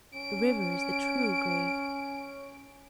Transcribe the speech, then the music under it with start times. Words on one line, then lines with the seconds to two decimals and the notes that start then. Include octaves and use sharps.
The river is the true grave.
0.14 C#4 D7